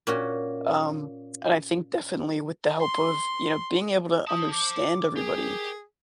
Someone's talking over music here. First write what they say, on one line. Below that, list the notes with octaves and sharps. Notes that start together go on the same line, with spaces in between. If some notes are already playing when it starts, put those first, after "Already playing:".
um, and I think, definitely, with the help of, you know, being able to understand everybody,
A#2 C#4 F#4
C6
C5 A5 D#6
D6
G4 G#4 A#4